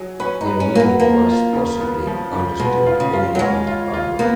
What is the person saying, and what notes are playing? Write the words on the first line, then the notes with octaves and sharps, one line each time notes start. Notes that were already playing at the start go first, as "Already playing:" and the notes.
Their meaning was, possibly, understood only by the carver.
Already playing: F#3 G#4
C#4 B4
D#4
B4
C#4
F#3 A#3
B3
F3 A#3
F4
C#3
B3
F3
C#3
B2 G#3
F4
C#3
F4
F#3
G#3 C#4
F4
F4
A#3 B3